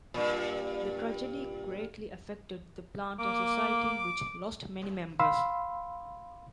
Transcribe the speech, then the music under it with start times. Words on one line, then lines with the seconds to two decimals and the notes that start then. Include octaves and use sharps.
The tragedy greatly affected the planter society, which lost many members.
0.14 G2 A#2
3.19 A#3 D6
5.20 F5 B5 C6 E6